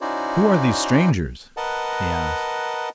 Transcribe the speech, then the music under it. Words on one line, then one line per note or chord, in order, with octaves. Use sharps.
"Who are these strangers?" he asked.
C#4 D#4 E4 F#4 C5 D5
A#4 B4 D#5 F#5 A5